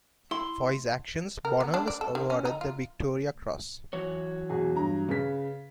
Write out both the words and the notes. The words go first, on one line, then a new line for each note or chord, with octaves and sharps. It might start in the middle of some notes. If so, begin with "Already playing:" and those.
For his actions, Bonner was awarded the Victoria Cross.
E4 C6
A#4
B3
D4
D5
A4
D#3
C#4
D#4
F4
E3 F#3 C#5
E1 F#4 G#4
G2 A#5
C#3 B4 B6